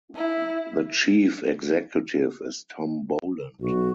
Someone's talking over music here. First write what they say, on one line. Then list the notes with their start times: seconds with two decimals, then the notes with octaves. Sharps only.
The Chief Executive is Tom Boland.
0.15 E4
3.61 B1 F#4